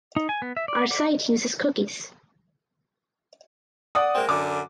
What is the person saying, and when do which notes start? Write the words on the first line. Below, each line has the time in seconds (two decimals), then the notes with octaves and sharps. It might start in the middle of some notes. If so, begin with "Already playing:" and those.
Our site uses cookies.
0.16 D#4
0.29 G#5
0.42 B3
0.57 E5
0.68 D5
0.91 D5
3.95 D5 F#5 D#6
4.15 G#3 A#3 C4
4.29 F#2 D3 D6